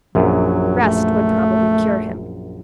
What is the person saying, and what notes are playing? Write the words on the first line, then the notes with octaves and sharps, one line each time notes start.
Rest would probably cure him.
A#1 F#2 F#3
A3